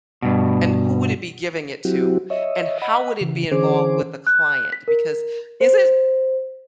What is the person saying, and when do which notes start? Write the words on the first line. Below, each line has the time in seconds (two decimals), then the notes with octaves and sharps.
and who would it be giving it to, and how would it be involved with the client? Because is it"
0.22 G2 B2
1.85 F#3 C4 E4 F#4 G4
2.30 C#5 D#5 E5
2.82 D#5 F#5 B5
3.21 C#3 E3
3.52 D3 E3 C#4 G#4 C5 D6
4.27 F#6
4.72 B6
4.88 A#4
5.61 C5